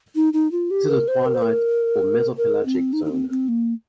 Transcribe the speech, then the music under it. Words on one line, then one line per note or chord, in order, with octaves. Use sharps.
This is the twilight or mesopelagic zone.
D#4
D#4
F4
G4
A#4
C5
A#4
C5
A#4
A#4
C4
D#4
D#4
C4
C4
A#3